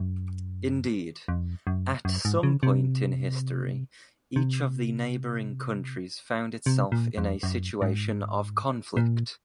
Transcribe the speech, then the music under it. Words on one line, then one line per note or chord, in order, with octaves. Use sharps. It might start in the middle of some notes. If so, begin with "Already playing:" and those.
Indeed, at some point in history, each of the neighboring countries found itself in a situation of conflict.
Already playing: F#2
F2
F#2
F#2
G#2
C#3
C3
C3
C3
A#2
F2
F#2
G#2
A#2